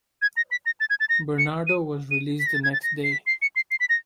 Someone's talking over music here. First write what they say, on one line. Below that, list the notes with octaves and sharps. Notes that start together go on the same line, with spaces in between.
Bernardo was released the next day.
G#6
A#6
B6
A#6
A6
G#6
A6
A#6
C#7
D#7
D#7
B6
A#6
A6
G#6
A6
A#6
C7
B6
C7
C#7
C7
C7
B6
A#6